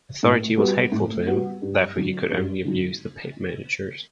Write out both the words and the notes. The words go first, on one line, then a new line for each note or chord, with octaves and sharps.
Authority was hateful to him, therefore he could only abuse the pit-managers.
A2
G3 B3 F#4
A2
G3 B3 F#4
G2
D3 F#3
G2
D3 F#3